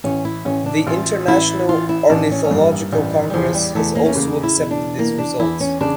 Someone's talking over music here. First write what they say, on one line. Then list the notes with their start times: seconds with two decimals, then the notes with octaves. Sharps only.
The International Ornithological Congress has also accepted these results.
0.04 A1 C#4
0.25 E4
0.45 A1 C#4
0.66 D4
0.87 A1 F4
1.28 A1 E4
1.69 E3 F4
1.89 E4
2.10 A1 D4
2.31 C#4
2.45 C#4
2.51 G2 A#3
2.92 A1 G3
3.30 G3
3.34 E2 F3
3.55 G3
3.75 E2 A3
3.95 A#3
4.05 C#4
4.15 C#3 A#3
4.43 E4
4.57 E1
4.71 D4
4.98 E3 A#3
5.18 D4
5.40 E2 E4
5.60 C#4
5.81 C#3 D4